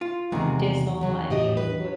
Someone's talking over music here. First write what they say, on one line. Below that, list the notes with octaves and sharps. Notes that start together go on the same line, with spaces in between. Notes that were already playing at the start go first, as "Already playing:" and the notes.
dismal and you
F4
E2 C3 D#3 G#3
C#3 F#3
A2 G4 D#5
B4